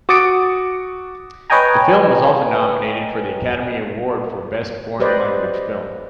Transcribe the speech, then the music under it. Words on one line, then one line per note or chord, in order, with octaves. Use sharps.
The film was also nominated for the Academy Award for Best Foreign Language Film.
F#4 D6 D#6 A6 C#7 D7
B4 C#5 D#5 G5 G#5 A#5
G4 B4 C5 D5 D#5